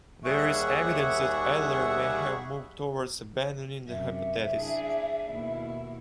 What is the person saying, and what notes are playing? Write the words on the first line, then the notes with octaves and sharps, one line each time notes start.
There is evidence that Adler may have moved towards abandoning the hypothesis.
D#2 G3 G#4 E5 F#5 C#6
F#2 C3 E5
D4 E4 G#4
D#2 B2 E4